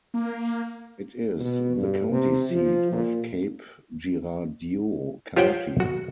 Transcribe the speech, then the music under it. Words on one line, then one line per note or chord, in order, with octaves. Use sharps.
It is the county seat of Cape Girardeau County.
A#3
B2
G2
C3
F3
A#2
F4 G4 C5 C#5 F#5 G5
F#4